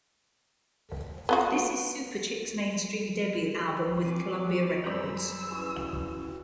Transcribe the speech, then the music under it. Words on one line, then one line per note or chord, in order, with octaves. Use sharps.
This is Superchick's mainstream debut album with Columbia Records.
B3 F4 F#4
C4 F#4 G#5 D6
F#2 G3 G#4 C5 A#5 B5 E6
C#4 E4 F#4 B4